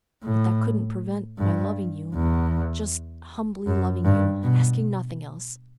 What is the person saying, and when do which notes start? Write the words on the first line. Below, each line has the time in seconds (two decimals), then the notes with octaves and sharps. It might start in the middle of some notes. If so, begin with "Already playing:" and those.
But that couldn't prevent my loving you--just humbly loving you, asking nothing else.
0.24 A2
1.38 G2
2.14 E2
3.67 F#2
4.05 G2
4.43 B2